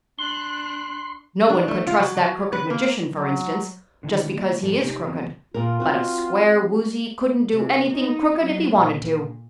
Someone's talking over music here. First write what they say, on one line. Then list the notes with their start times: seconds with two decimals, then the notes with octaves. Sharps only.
"No one could trust that Crooked Magician, for instance, just because he is crooked; but a square Woozy couldn't do anything crooked if he wanted to."
0.19 D4 C6 F#6
1.50 D4
1.68 A3
1.87 F4
2.00 F#3
2.17 F#3
2.53 B4
2.70 A#3
3.12 F#3
4.03 D3 D#3 A3 D4 E4
4.36 G#3 A#3 D5 E5
4.62 G#2 F3 G4 A4 D5
4.80 C3 D#4 G4
5.06 E3 F#3 B3 C4
5.54 A#2 F4 A#4
5.80 C4 F#4
7.54 C3
7.91 D#4
8.43 F#3
8.74 A#2